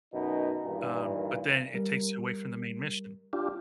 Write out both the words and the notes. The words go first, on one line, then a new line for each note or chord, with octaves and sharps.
Um, but then it takes you away from the main mission.
F#2 B2 D#4
G2 A#2 D#3 E3
G3 A#4
D4 F4 G4